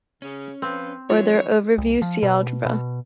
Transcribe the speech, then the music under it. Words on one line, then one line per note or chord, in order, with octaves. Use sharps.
For their overview, see Algebra.
C#3 C#4
F3 C4 B4
E3 F#3 F4 C#5
C2
F3
B2
B2